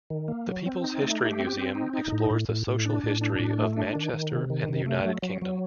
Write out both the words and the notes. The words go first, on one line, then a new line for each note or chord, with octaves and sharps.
The People's History Museum explores the social history of Manchester and the United Kingdom.
D#3
A#3
F#3
C4
D#4
A3
G4
C4
C4
D#4
D#4
A2
A2
A2
A2
D4
A2
D4
A2
A3
D4
D#3
D#3
C3
D#3
C3
A3
F#3
F#3
F#3